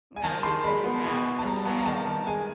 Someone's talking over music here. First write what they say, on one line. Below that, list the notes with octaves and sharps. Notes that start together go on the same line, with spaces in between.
Now, you said you have a child.
G#5
D#3 A5
D#3 C6
G#3 B5
B3
B2
B2
A5
G3 A#5
B3
A#5
D#3 A5
D#3
G#3 G#5